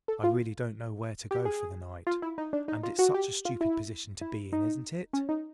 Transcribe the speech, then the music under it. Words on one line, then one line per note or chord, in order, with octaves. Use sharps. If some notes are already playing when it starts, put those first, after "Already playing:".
I really don't know where to go for the night, and it's such a stupid position to be in, isn't it?'
A4
F4
G4
G#4
F4
E4
D#4
D4
D#4
F4
F#4
G4
F4
E4
E4
D#4
C#4
D#4